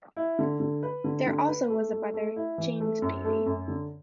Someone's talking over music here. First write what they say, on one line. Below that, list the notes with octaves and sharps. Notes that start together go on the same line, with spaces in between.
There also was a brother, James Baby.
E4
D3
D3
B4
D3
D3
B4
A3
A3
A3
E4
E3
A3
F#2
A3
F#2
D3